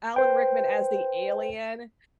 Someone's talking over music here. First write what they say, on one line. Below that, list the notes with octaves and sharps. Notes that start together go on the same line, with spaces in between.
Alan Rickman as the alien,
B4 C5 G5